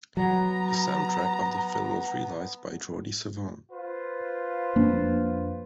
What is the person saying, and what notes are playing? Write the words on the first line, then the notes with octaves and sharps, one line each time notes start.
The soundtrack of the film was realized by Jordi Savall.
F#3 B3 A#5
F4 B4 C5
F2 A#3 D4